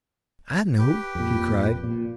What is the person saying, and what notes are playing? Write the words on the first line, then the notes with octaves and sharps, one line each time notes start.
"I know," he cried.
G4 B4 G5
F2 A#2
A#2